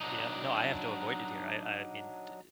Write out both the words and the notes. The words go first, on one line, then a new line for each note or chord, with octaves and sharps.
Yeah, no, I have to avoid it here. I I mean, t
F#3 D4 D#4